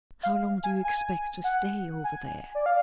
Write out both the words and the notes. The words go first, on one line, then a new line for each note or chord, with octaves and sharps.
"How long do you expect to stay over there?"
F5
G#5
G#5
F#5
G#5
D5
F5